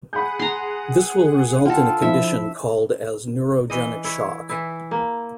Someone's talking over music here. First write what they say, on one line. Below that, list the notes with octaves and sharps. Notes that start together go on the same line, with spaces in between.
This will result in a condition called as neurogenic shock.
G#4 F#5 B5 D#6 G6
A#5 C6
D3 F4 A4 F#5 G5
F3 E4 E5
E3 D#5
E4 C#5
E3 E4
A#3